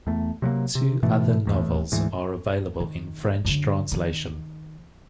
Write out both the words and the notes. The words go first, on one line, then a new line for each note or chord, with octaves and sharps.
Two other novels are available in French translation.
E2 A3
C3 F#3 G3 A#3
C3
G#2 B2 E3 A3
D#1 E2 A2
D2 G#2 E3
D#3
F#2 D3
D#3